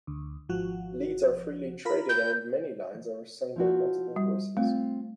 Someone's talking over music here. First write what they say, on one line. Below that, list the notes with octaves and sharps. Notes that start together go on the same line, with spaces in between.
Leads are freely traded, and many lines are sung by multiple voices.
D2
G#1 F3 F#4
F4 A#4 B5
G6
F3 E4 F#4
G3
A3 C4 F4